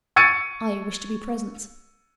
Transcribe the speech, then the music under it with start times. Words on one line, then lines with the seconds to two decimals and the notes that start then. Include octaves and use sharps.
"I wish to be present."
0.16 C#6 E6 G#6 A6 C#7 D#7